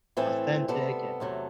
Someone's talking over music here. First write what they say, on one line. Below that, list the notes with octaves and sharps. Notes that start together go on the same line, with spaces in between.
authentic and
A2 E3 A3 C4
C3 G3 B3 A4
E2 C3 F#3 A3